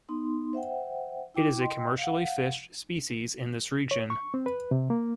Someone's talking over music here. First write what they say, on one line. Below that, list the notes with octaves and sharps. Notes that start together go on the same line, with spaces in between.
It is a commercially fished species in this region.
B3 D#4 C6
C5 E5 F#5 G5
E4 G5 D6
D#5 G5 C6
F5 F#5
C#5
C#6
C4
B4
C3
A#3